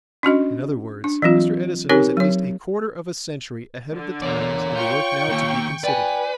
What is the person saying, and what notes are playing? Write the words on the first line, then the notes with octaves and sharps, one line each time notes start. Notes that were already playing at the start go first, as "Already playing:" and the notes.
In other words, Mr. Edison was at least a quarter of a century ahead of the times in the work now to be considered.
C#4 D4 F#4 D#5
D4
E3 F#3 C4 F4
C4 D#4 G4 A#4 C#5 G#5
F#3 C#5
D3
E2 A#4 C#5 D5
F4 G5 C#6
D#3 A#3
B4 D5 G5 G#5